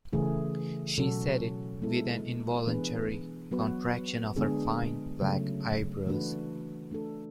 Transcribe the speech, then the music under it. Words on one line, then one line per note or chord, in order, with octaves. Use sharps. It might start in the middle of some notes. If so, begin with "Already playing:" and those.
She said it with an involuntary contraction of her fine black eyebrows.
C#3 E3 A3 E4 G#4
B2 F#3 C#4 F#4 A4
G#3 B3 E4 A4
E3 B3 D4 G#4 B4
F#3 B3 F#4 B4
D3 G#3 B3 D4 G#4
C#3 F#3 A3
E3 A3 D4 F#4 B4
A3 D4 A4